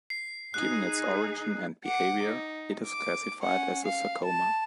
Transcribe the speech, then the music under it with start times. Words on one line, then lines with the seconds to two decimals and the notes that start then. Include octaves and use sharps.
Given its origin and behavior it is classified as a sarcoma.
0.10 C7
0.54 D#4 G#4 F#6
1.84 F#5 D6
2.22 D#4
2.86 D6
3.41 C#4 F#5
3.84 F5
4.25 A5